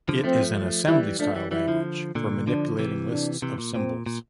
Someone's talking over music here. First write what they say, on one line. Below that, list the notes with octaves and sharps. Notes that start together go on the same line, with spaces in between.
It is an assembly-style language for manipulating lists of symbols.
D3 F3
F3 A3 C4
E3 G3 E4
F3 A3 D4
E3 G3
E3 G3 E4
D3 F3
A#2 D3
D3 F3 D4
C3 E3
D4
C3 E3
A#2
A#2 C4
A#2